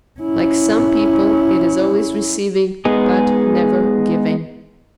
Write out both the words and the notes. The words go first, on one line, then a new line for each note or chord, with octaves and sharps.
Like some people, it is always receiving but never giving.
C#4 E4
G#3 B3 D#4 G#4